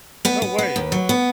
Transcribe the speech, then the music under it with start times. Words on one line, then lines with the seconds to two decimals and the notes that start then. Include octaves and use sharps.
No way.
0.25 B3 B4
0.42 B3
0.58 B3
0.76 D#2
0.92 F#3
1.09 B3